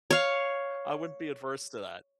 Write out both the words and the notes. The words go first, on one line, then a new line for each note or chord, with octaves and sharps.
I wouldn't be adverse to that.
C#5 F5